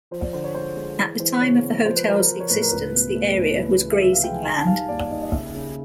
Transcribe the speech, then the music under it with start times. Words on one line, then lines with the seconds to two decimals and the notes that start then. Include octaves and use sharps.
At the time of the hotel's existence, the area was grazing land.
0.11 F3 C5
0.23 D5
0.33 D3 C5
0.44 C#5
0.55 G#3 C5
0.76 G#3
0.99 E3
1.20 E3 C5
1.42 C#3 C#5
1.64 B3
1.85 F3 C5
1.96 B4
2.06 F3 A#4
2.18 B4
2.28 F3
2.40 C#5
2.50 A2 B4
2.61 A#4
2.72 C#2 B4
2.94 B2
3.15 A3
3.36 C#2
3.58 E3 B4
3.80 G#3
3.91 E5
4.02 C3 E5
4.13 F5
4.24 G#3 G5
4.34 G#5
4.45 D#3 G#5
4.56 A5
4.67 G3 F5
4.88 D#2 D5
5.00 D5
5.11 D#2 D#5
5.22 D#5
5.32 C#3 E5
5.54 C#3